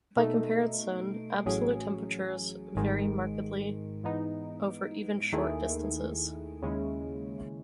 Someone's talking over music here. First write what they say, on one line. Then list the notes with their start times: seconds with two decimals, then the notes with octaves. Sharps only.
By comparison, absolute temperatures vary markedly over even short distances.
0.16 B2 A3 D#4
1.46 A1 A2 F#3 C#4 G#4
2.75 G#1 G#2 D#3 G#3
4.03 G#2 E3 B3 D#4
5.33 D#2 D#3 A3 E4 G#4
6.62 D#2 C#3 G#3 C#4 E4